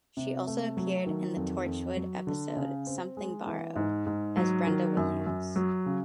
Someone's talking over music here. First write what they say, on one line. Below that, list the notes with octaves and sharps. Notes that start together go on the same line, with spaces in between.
She also appeared in the "Torchwood" episode "Something Borrowed" as Brenda Williams.
C3
A3
F#3
D#3
F2
F2
F#3
D3
C#3
C4
G#3
E3
G#2
G#2
F#3
D#3
F#2
F#2
F#3
C#3